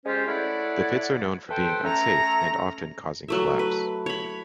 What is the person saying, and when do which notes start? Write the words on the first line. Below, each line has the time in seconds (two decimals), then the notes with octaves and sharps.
The pits are known for being unsafe, and often causing collapse.
0.06 G#3 C#4 F4 G4 C5
0.28 A3 E4 C#5 D5 F#5
1.50 A4 B4 C5 G5
1.84 A3 C#4 A#5
3.28 F#3 A3 E5
3.59 B4
4.06 C#5 B5